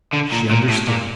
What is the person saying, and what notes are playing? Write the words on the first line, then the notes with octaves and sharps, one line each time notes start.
She understood!
D3
A#2
A#2
A2
A#2